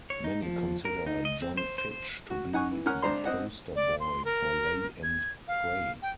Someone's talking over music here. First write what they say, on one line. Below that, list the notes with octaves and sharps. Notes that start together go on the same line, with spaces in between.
Many consider Jon Fitch to be the poster boy for lay and pray.
C#5
D#4
F3
A#4
D#4
D#5
C4
C5
C5
C5
F#4
D#4 F#5 G#5 C#6
E3
C#4 A#4 F#5 F6
G#1 D4 C5 A#5 C6
C4 D#5 F#5
D5
C6
A#4
G#6
F5
G5